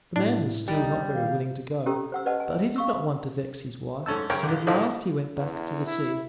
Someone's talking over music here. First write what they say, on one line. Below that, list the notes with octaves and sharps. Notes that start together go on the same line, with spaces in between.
The man was still not very willing to go, but he did not want to vex his wife, and at last he went back to the sea.
A2 D4 E4
C2 G3 D#4
D#3 F5
C#4 G4 A4 A#5 E6
C5 F#5 E6
B4 C5 D5 D#5 F#5 A5
G#5
F5 C#6 E6
G#2 A3 C#4 A5 E6
F#2 C#3 A#4 C#5 G5
A#1 D3
A1 A2 D3 E3 F3 D#4
E2
E4